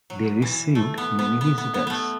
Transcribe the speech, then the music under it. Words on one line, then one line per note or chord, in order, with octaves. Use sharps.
They received many visitors.
F#3
E3
A3
B3
B3
B3
B3
B3
A3 B3